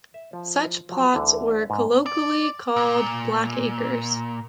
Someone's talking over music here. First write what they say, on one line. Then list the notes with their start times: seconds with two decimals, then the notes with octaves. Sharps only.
Such plots were colloquially called "Blackacres".
0.14 E5
0.33 F3
0.89 F3 F#3
1.14 D2 D3 E3
1.70 G#2
2.06 D5
2.76 A#2